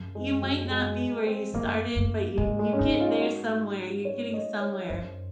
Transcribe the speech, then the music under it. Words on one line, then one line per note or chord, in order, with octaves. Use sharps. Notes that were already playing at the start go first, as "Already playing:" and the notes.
You might not be where you started, but you you get there somewhere. You're getting somewhere.
Already playing: F#2
G#3
F#3
G#3
C4
F#2 A#3
F#2
G#2 G#3
G#3
C#4
G#2 D#4
F4
F#4
C#5
D#5
C#5
F#2 C5